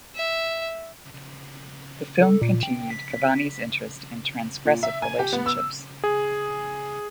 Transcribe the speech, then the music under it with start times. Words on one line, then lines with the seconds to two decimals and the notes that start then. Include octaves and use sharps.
The film continued Cavani's interest in transgressive relationships.
0.15 E5
2.22 A4
2.42 A#2
2.63 G5
2.90 B6
4.65 A#2
4.83 E5
5.02 G#5
5.19 G4
5.33 B3
5.46 E6
6.04 G#4